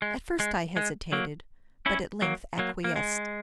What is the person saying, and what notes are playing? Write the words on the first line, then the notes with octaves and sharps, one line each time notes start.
At first I hesitated, but at length acquiesced.
G#3
G#3
G#3
F#3 A#3
C#4 E4
F#3 A#3
F#3 A#3
A#3
G#3